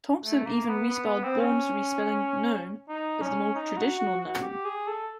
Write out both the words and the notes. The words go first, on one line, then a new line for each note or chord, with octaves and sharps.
Thompson even respelled Baum's respelling "Nome" as the more traditional "Gnome".
A3
A#3
B3
B3
B3
C4
C#4
D#4
C#4
D#4
F#4
F#4
F#4
G4
G#4
A4